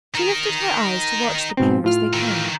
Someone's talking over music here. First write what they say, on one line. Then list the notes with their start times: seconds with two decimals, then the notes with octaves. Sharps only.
She lifted her eyes to watch the pair as they came.
0.15 D#4 A#4
1.57 G#2 B2 C4
1.84 A2 F4 F6
2.13 D#3 E3